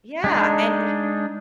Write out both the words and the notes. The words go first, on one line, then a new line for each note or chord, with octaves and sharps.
Yeah, and
G#3 D4 D#4